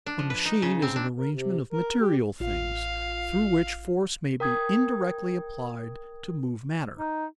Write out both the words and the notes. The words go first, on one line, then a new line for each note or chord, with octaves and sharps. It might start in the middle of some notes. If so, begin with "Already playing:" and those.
A machine is an arrangement of material things through which force may be indirectly applied to move matter.
D4
F3
B4
D#4
C#3
C4
D4
A#4
C3
A#4
G4
A1 F4 F5
A#4 G5 D#6 G#6
D#4